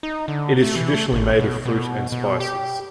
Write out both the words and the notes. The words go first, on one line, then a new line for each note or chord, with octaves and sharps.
It is traditionally made of fruit and spices.
D#4
D3
A3
E3
A3
G#1
B2
B2
B2
G4